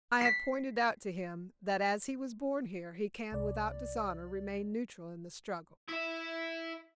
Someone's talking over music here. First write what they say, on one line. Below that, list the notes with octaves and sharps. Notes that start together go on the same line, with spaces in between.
I have pointed out to him that as he was born here he can without dishonor remain neutral in the struggle.
B6 C7
C2 D5
E4 E5